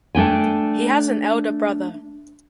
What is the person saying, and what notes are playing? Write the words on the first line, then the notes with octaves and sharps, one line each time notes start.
He has an elder brother.
A3 D4 G5 G#5